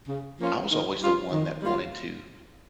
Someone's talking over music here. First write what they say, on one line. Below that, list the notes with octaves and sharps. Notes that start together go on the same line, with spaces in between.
I was always the one that wanted to
C#3
F3 A#3 C#4 F4
D#3
G3 C#4 F4
D#3
G3 A#3 F4